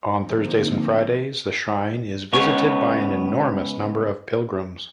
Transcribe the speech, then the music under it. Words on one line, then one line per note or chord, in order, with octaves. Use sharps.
On Thursdays and Fridays, the shrine is visited by an enormous number of pilgrims.
D3 F3 A#3 C4 D#4
C#2 B3 C#4 C#5